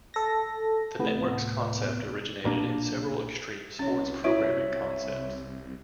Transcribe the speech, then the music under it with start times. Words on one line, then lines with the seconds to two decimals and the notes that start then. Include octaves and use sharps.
The network's concept originated in several extreme sports programming concepts.
0.14 A4 A#6
0.99 D2 A2 C3 B3
2.44 B1 A#2 A#3 D4
3.79 C2 C#4 C#5
4.24 E4 F#4 C#5 E5